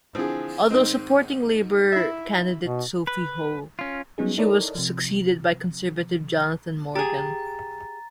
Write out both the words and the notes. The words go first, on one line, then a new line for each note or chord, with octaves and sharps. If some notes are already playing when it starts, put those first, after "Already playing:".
Although supporting Labour candidate Sophie Howe, she was succeeded by Conservative Jonathan Morgan.
D3 E3 F3 C4 G#4
G#2 D#3 C4 D#4
E4 E5
B2
B4
C#4 F4
F#3 G3 B3 C#4 D#4 G#4
D#4 E4 A4 A#4 C#5 D5
C3 F3
G4 G#4 A#5 A6